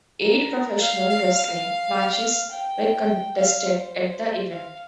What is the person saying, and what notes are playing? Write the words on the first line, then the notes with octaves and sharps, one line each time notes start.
Eight professional wrestling matches were contested at the event.
A#4
F5
F5
F5
G5
F5
C5
C5
C5
F5